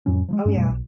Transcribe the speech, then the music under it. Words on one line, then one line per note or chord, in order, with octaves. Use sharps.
Oh, yeah.
F2 A2 F#3 C#4
F3 F#3 G#3
G2 G#3 C#4
F#2 B2 G3 A3
B1